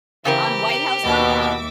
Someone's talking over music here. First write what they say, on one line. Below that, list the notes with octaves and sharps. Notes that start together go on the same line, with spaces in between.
On whitehouse.gov.
C#3 E3 C4 G4 A#4
D#2 B2 E5 D6